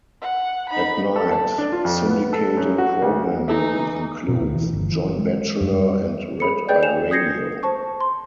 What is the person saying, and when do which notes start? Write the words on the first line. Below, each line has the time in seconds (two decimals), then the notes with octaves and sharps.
At night, syndicated programming includes "John Batchelor" and "Red Eye Radio".
0.21 F#5
0.69 D#4 B5
1.16 A4
1.31 A5
1.58 D4
1.72 F4
1.85 F2
2.06 B3
2.33 A4
2.57 F#2
2.78 F#4
3.02 D2
3.48 E3 D#4 E4 A4 E5
4.28 B2
4.41 D2
4.56 E3
4.73 G1
4.92 E3
5.19 G#3
5.61 F#2
5.73 G3
6.40 G#4 B5 C#7
6.69 G#4 B4 D5 G5 G6
6.82 G#5 E7 F7
7.11 D#6 G6 G#6 A#6 C7 C#7
7.63 C5 A5 C#6
8.00 C6